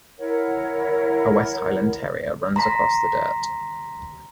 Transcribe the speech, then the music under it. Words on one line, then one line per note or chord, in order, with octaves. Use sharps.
A West Highland Terrier runs across the dirt.
E4 A#4 C#5 F#5
A#5 C6 B6